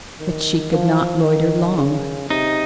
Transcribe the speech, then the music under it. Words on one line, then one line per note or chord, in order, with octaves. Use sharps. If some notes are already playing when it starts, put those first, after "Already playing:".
But she could not loiter long.
D#3
F3
D#3
C#3
C3 D#4